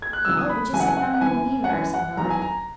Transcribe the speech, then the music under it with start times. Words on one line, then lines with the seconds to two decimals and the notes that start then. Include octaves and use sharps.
"Oh, but just a thumb-nail nearer," said Nod.
0.02 G#6
0.13 F#6
0.25 E2 C#3 F#3 E6
0.37 D#6
0.49 B5
0.73 E2 C#3 F#3 G#5
0.80 F#5
0.88 G#5
0.97 F#5
1.14 F#5
1.21 F#2 E3 G#5
1.64 F#5
1.69 F#2 E3 G#5
1.94 F#5
2.17 E2 D#3 F#3 A#5
2.30 G#5
2.42 A#5